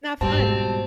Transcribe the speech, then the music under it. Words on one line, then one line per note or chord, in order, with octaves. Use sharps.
Not fun.
G#2 B2 G3 C4 G4 A5